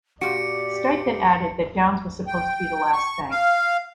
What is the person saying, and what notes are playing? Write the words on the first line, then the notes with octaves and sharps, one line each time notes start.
Stipe then added that Downs was supposed to be the last thanked.
A#2 F#4 G4 D5 C#7 D7
G5
C#6
F5